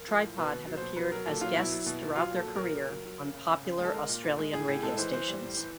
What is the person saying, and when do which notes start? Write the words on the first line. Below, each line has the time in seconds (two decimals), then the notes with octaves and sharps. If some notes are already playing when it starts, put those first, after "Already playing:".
Tripod have appeared as guests throughout their career on popular Australian radio stations.
Already playing: A#4
0.08 F3
0.23 A2
0.38 B2 B4
0.52 B2
0.67 F#3
0.77 B2 C5
0.96 F#3 B4
1.12 F#3 A#4
1.26 A#2 A4
1.41 F#3 F4
1.56 B2 E4
1.72 F#3
1.86 B2
2.01 B2
2.16 F#3 F4
2.30 A#2
2.36 A4
2.46 F#3
2.55 A#4
2.61 A#2
2.75 C#3
2.90 F#3
3.05 F#3
3.20 C#3
3.34 C#3
3.50 C#3
3.65 C#3
3.79 G#3
3.85 A4
3.93 G#3 A#4
4.09 A#2
4.24 A#2
4.38 G#3
4.53 A2 G#4
4.68 A2 G#4
4.83 G#3 A4
4.97 E3 C5
5.13 E3 C5
5.28 G3
5.42 A2
5.57 E3